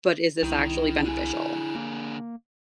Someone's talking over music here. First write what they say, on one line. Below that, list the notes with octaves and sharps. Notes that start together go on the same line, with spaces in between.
but is this actually beneficial?
C2 D#3 E4
D3 G#4
A#3